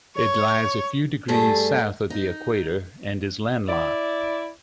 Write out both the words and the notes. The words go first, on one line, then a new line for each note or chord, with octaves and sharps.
It lies a few degrees south of the equator and is landlocked.
C#5
G2 G3 A3 G#4 A4
D#4
E4 D5